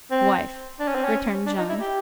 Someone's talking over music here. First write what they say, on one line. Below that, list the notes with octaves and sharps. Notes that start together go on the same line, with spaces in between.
"Wife," returned John.
C4
D4
C#4
C4
C#4
D4
D#4
E4
G4